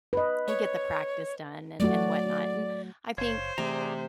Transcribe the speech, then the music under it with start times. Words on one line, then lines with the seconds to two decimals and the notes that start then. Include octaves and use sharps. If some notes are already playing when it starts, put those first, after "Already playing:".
and get the practice done and and whatnot. And, I think
0.13 B4 D#5
0.48 C#5
1.80 F#3 A3 F#4 D5
3.18 F#1 C5 C#5 F5
3.58 C3 E3 A3 G#4 D5 A#5